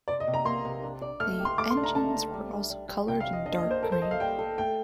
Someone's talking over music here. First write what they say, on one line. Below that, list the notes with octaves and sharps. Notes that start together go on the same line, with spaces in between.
The engines were also coloured in dark green.
C3 D5
D#5
C3
A#5
A#3 C6
C3
D4
D5
A3 F6
G4
C6
A3 D6
C6
D4
A#5
A3 A5
A3
G3
D4
G3
G3
C3 G5
F5
F3
D#5
D4 D#5
D#5
A#3
C5
A4 A#4
C5
A4 D#5
F5
G3 G5
A4
A3 G5